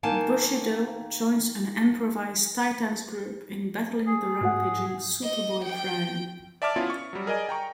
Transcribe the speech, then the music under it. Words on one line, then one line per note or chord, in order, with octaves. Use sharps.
Bushido joins an improvised Titans group in battling the rampaging Superboy-Prime.
D#3 A#3 G#5 A5
G#4
G#2 F#4 F#5
D#5
G5
D5 E5 A5 D6 F6 A6
B3 C#4 E4 F4
C#6
F#3 G3
G#4 A#4 D5 D#5 G#5
G5 A#5 C#6